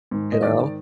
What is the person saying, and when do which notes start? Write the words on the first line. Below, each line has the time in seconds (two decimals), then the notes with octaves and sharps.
You know.
0.11 G#2 D#3
0.32 D#5
0.43 G#2 D#3 D5